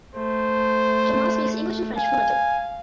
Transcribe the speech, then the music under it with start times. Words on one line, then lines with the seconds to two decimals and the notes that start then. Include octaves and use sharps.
Jamal speaks English and French fluently.
0.16 A3 C5
1.97 F5 G#5